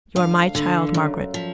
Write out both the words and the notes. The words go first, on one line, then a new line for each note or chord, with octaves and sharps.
You are my child, Margaret.
D2 F5
D3
F#2
F3